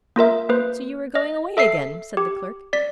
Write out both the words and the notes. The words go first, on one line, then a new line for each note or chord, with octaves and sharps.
"So you are going away again!" said the clerk.
A#3 F4 A#4 E5
A#3 B4 C5
D#5
A4 E5 E6 C7
G4
D5 B6